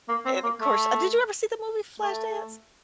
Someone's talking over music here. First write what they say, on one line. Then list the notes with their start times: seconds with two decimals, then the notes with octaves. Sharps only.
And of course, uh did you ever see the movie "Flashdance?"
0.08 A#3
0.25 C4
0.43 A#3
0.61 A3
2.00 A3